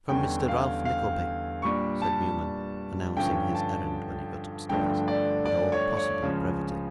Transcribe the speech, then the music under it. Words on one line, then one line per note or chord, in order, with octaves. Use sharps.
'From Mr Ralph Nickleby,' said Newman, announcing his errand, when he got upstairs, with all possible brevity.
E2 D3 G3 C#4 G5
F5
F5
A#2 G3 D4 C#6
A5
G2 D3 F3 C#4 G5
A5
G2 D3 F3 A3 D4 G5
D5
D5
C#5
C#5
C#2 C#3 F3 C#4